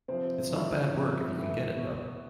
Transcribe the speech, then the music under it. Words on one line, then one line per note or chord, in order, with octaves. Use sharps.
It's not bad work if you can get it, though.
C3 F3 C4 C5
A2 F3
C3 F3 C#4 C#5
A2 E3
B2